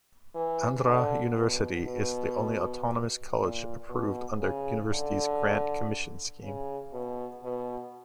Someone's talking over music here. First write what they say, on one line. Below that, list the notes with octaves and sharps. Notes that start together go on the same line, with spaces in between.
Andhra University is the only autonomous college approved under "Universities Grant Commission" scheme.
E3
D3
B2
B2
A#2
B2
C#3
D3
C#3
B2
B2